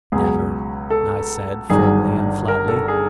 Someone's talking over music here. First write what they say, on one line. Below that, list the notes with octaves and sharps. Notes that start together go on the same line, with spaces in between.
"Never," I said, firmly and flatly.
C#2 B2 F#3 G#4
A4
G1 G2 D#3 F#3 G#4
A#4
A4
G#4